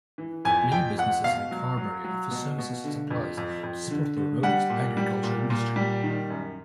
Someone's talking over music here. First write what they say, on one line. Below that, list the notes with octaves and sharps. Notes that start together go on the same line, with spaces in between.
Many businesses in Carberry offer services and supplies to support the robust agriculture industry.
E3
F2 G#5
F2 G5
F2 F#5
B2 F5
F#3
F#3
F#3
B2
B2
D3
F2
F2
F2
D3
D3
G3 F#5
A#2
G3
A#2
A#2
G3
D#3
F#2